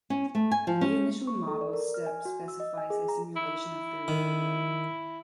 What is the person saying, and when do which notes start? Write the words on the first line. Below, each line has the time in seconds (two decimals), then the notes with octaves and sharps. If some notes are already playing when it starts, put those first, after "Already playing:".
The initial model step specifies a simulation of the real world.
0.10 C#4
0.35 A3
0.51 G#5
0.67 F3
0.81 C#4
1.27 C#6
1.47 A4
1.61 D5
1.73 A#4
1.94 F6
2.06 G#5
2.25 F#4
2.48 E6
2.60 D#5
2.78 G#5
2.90 G#4
3.09 A#5
3.36 E4
4.08 D#3